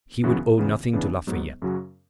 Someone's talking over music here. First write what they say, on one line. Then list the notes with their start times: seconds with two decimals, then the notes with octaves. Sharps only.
He would owe nothing to Lafayette.
0.24 F#2 C#3 E3 B3 F#4
0.57 E2 C#3 E3 B3
0.93 C#3 E3 B3 D4
1.27 G#2 F#3 B3
1.62 F#2 C#3 F#3 C#4 F#4